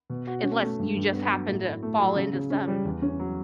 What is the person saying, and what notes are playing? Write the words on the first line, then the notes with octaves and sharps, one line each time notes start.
unless you just happen to fall into some
B2
F#4
C#4
A3
G2
G2
B3
F#3
A2
E4
A3
F#3
C#3
C#3
C#4
G3
E2
C#4
F#3